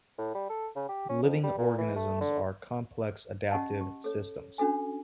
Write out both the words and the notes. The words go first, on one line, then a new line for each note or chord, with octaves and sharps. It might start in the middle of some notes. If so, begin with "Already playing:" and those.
Living organisms are complex adaptive systems.
A2
G3
A4
C#3
G4
C#4
F2
G3
A#2
E3
A3
D3
C#4 G4 D#5 F#5 A5
G4
A4 C#5
C#4 D4 F#4 A4 G#5